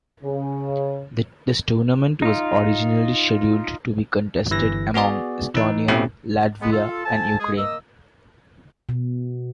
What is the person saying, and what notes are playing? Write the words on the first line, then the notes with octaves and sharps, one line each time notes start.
This tournament was originally scheduled to be contested among Estonia, Latvia and Ukraine.
C#3
D#4 F4
G1 E3 A#6
B3 F#4 G#4 D5
E3 D#4
B2 A3 C4 C#4 E4 G4
G#3 B3
F4 A4
F3 A4 G#5 A5
G#3 G#4
A#3 D#5 E6
B2